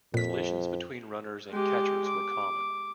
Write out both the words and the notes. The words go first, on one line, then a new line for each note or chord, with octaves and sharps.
Collisions between runners and catchers were common.
F2 A#2 B6
G#3 G4
D6